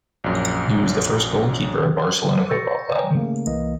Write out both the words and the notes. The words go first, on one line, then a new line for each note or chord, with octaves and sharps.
He was the first goalkeeper of Barcelona Football Club.
A#1 F#2
C#6 E6 G6 A6 A#6 C#7
C#5 G5 G#5 A#5
C#3 A3 A#3
C2 E3 A#3 D#5